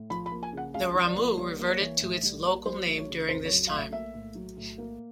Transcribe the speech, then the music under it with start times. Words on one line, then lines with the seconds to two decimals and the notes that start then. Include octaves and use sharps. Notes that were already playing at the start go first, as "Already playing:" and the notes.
The Ramu reverted to its local name during this time.
Already playing: A2
0.10 F3 B5
0.26 B5
0.32 A#3
0.43 G#5
0.53 C#3 F#5
0.74 C#2 F5
0.95 F3
1.06 D5
1.17 A#3
1.38 G3 C#5
1.59 A#3
1.70 C#5
1.81 E3
2.01 A2
2.23 G3
2.45 A#3
2.66 F#3 C5
2.87 A3
2.98 C#5
3.09 C#3
3.29 F2 C5
3.45 C#5
3.50 F#3
3.67 A3 F5
3.77 E5
3.92 A#3 E5
4.14 A2
4.35 F#3
4.57 A2
4.78 A#3